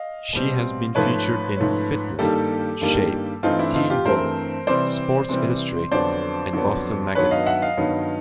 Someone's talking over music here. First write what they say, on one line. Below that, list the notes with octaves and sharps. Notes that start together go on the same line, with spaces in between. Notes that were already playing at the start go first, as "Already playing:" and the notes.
She has been featured in "Fitness", Shape, "Teen Vogue", "Sports Illustrated", and "Boston Magazine".
Already playing: D#5 F5
B2 G3 C4
G#2 F3 A3 C#4 B4 C#5
G#2 F3 A3 C#4
G2 D#3 G3 A#3 G4 A4
G2 D#3 G3 A#3
G2 E3 A3 C4 D#4 F4
D4 E4
D#4 F4
F4 G4
G2 E3 A3 C4 A#4 C5
C3 E3 G3 C4 C5 D5
C3 E3 G3 C4
F2 D3 F#3 B3 C5 D5
F2 D3 F#3 B3
G2 D#3 F#3 B3 B4 C#5
D#5 F5
E5 F#5
D#5 F5
G2 D#3 F#3 B3